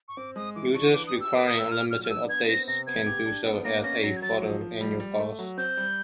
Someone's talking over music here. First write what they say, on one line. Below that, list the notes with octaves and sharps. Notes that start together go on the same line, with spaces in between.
Users requiring unlimited updates can do so at a further annual cost.
C#6
C4 D6
G#3 D#6
E3 D6
D4 C#6
B4 D6
D#6
G4
E6
A#4 D6
D#6
A#4
E6
A#2 F6
F#3 F6
F6
D4 E6
B3 G#6
C4 A#6
C3 A#6
B3 G#6
G4
D4
B3
A#3 A#6
C#4 A#6
F#3 A#6
G#6
F#3 A6
F3
F3
G3
G3
A3
F#3
C4 G6
G3